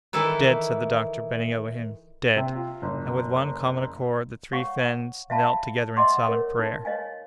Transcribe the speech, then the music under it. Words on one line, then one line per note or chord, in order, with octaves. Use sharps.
"Dead!" said the doctor, bending over him, "dead!" And with one common accord, the three friends knelt together in silent prayer.
D#3 E3 E4 A4 B4
C3
F4
F#1
C#5 F5 F#5 C#6
E5 F5 A5 B5
D#5 E5 F#5 C6 D6
A#4 C#5
D#4
C#5 D#5 F5 G#5